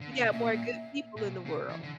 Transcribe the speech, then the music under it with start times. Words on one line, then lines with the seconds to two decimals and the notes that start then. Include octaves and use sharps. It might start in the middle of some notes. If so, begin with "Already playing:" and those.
We got more good people in the world.
0.01 D3
0.11 C#3
0.22 B2
0.32 A#2 E5
1.16 A#2
1.23 B2
1.46 C#3
1.69 E3
1.83 D3